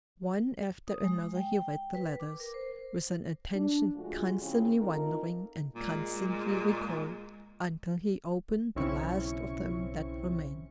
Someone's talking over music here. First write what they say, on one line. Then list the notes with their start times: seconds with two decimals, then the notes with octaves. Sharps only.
One after another he read the letters, with an attention constantly wandering and constantly recalled, until he opened the last of them that remained.
0.87 D#6
1.04 G#3
1.35 G5
1.95 B4
2.20 D6
2.40 A#4
2.54 C5
3.54 D4
3.95 A#2 F3 G#3 A3 F4 F#4
4.41 C#3 C4 E4 F4 G#4
4.78 A3 A#3 C4 D#4 F4 A#4
5.76 A#2 G#3
8.75 B1 C#3 C4 C#4 E4 C#6